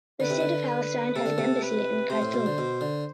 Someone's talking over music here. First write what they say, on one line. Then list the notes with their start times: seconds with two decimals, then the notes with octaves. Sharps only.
The State of Palestine has an embassy in Khartoum.
0.20 D3 B4
0.30 C3
0.40 D3
0.68 B4
1.16 C3 A4
1.26 D3
1.38 C3
1.63 B4
2.10 C3 C5
2.22 A2
2.33 B2
2.46 D3
2.58 B2
2.81 D3